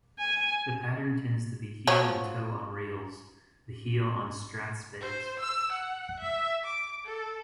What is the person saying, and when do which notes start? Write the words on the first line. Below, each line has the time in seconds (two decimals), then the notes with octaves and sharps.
The pattern tends to be heel-and-toe on reels, the heel on strathspeys.
0.19 G#5
1.87 F3 F#3 C#5
5.01 C5
5.40 E6
5.72 F#5
6.20 E5
6.64 D6
7.05 A4